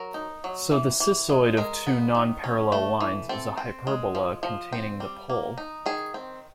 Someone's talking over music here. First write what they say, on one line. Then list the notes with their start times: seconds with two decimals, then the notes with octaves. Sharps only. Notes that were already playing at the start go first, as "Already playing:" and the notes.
So the cissoid of two non-parallel lines is a hyperbola containing the pole.
Already playing: F#3 A#4
0.14 D#4
0.44 F#3
0.71 E3
1.00 E3
1.29 G#3
1.57 G#3 A#4
1.87 B3
2.15 D#3
2.44 C#4
2.72 A3
3.01 E3
3.29 C4 A4
3.57 C4
3.87 G#3
4.15 F3
4.43 F3
4.73 C4
5.00 G3
5.30 A#3
5.58 D#4
5.86 D#3 G#4
6.14 C4